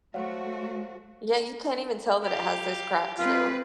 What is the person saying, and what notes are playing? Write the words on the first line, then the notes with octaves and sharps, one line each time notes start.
Yeah, you can't even tell that it has those cracks now.
F#3 A3 F#4 C5 F5
G4 F5
C4 F4 B4